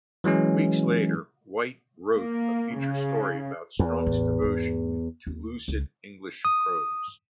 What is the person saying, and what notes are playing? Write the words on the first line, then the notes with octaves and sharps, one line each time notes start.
Weeks later, White wrote a feature story about Strunk's devotion to lucid English prose.
E3 F#3 G#3 C#4
A#3
C#3
E2
A1
G#2 A3
D#2
C#2
D#6